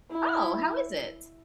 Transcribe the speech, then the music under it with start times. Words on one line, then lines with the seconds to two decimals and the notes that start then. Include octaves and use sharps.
Oh, how is it?
0.11 E4